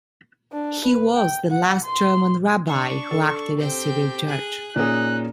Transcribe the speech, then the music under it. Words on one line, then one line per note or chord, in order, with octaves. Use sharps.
He was the last German rabbi who acted as civil judge.
D4
B4
G5
F#5
C6
D4 C#6
A4
C4 G4 G5
G#4 F#6
A#2 C#4 D#4 G#4 F#6